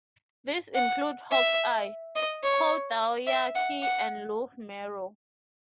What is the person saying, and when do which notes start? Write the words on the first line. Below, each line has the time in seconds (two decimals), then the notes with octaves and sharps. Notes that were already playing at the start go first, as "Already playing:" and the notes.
These include Hawk's Eye, Kou Taiki, and Loof Merrow.
0.75 F#5
1.31 E5
2.15 D#5
2.43 C#5
3.27 E5
3.55 F#5
3.83 F#5